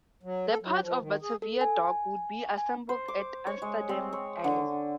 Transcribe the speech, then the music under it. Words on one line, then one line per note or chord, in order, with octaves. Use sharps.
The parts of "Batavia Dock" would be assembled at Amsterdam Island.
F#3
A4
F#3
F3
D#3
G#4
A4
G#5
G#5
C5
D6
C#5
G#3
C4
C#5
D3